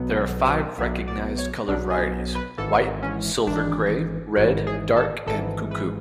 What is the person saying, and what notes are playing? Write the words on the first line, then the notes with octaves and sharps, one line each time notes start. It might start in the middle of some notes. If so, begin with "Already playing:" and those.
There are five recognised colour varieties: White, Silver-grey, Red, Dark and Cuckoo.
Already playing: B1 B2 F#3 B3
B1 B2 F#3 B3 E5
D5
C#5
B1 B2 F#3 B3 D4
G#4
B4
G#1 G#2 E3 A4
C#4
G#1 G#2 E3 D4
G#1 G#2 E3 F#4
G#4
A4
G#1 G#2 E3 A4
B4